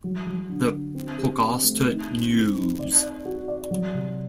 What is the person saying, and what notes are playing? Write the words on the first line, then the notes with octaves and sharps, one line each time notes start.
"The Pogosta News".
F#3
F#3
D3
D3
C4
G4
C4
A3
D#4
C4
C4
D#4
D5
D5
F#4
D5
F#3
C3